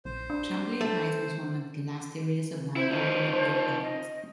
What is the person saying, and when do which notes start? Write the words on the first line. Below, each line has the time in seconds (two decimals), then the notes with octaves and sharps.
Champlain Heights was one of the last areas of Vancouver to be urbanized.
0.05 A#1 C5
0.30 D4
0.81 A3
2.76 E4 C5
2.91 F3 D#4
3.81 D#5